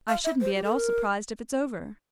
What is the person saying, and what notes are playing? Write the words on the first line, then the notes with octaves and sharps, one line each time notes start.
"I shouldn't be at all surprised if it's over."
F5
E5
C5
G4
A4
A#4